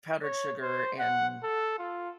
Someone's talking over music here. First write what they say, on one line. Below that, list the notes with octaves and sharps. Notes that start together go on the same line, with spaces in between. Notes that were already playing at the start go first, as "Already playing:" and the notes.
powdered sugar and
C#5
C5
F#5
A4
F4